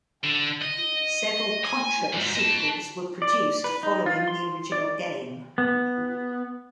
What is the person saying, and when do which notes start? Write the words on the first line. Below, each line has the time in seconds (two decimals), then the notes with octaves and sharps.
Several "Contra" sequels were produced following the original game.
0.24 D3
0.62 D#5
1.65 G#5
2.13 E2 G#2
2.36 D#5 A5
3.22 D5
3.64 B4
3.83 D#4
4.06 F4
4.28 C6
4.72 D5
5.58 B3